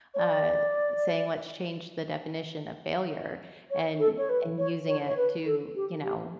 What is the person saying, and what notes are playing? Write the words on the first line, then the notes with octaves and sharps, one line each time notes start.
uh, saying, "Let's change the definition of failure," and and using it to, you know
C#5
D5
C#5
A4
C#5
B4
C#5
C#5
C#5
B4
A4
G4
G4